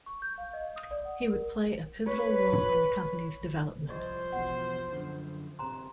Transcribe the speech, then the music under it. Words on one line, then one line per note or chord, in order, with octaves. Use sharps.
He would play a pivotal role in the company's development.
C#6
G6
F5
D#5
D#6
D5
F#5
A#4
B4 C#5
C2 F3 C5 D5 D#5 C#6
B1 E2 B2 F#5
F#2 D3
D1 C3 C5 A#5 C6